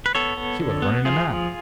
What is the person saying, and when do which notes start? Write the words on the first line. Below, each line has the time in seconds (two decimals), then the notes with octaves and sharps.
He was running a man!
0.06 B4
0.15 B3 A4 C#5
0.37 B3
0.59 D3
0.82 B3
1.05 F3 F4 G#4
1.29 F3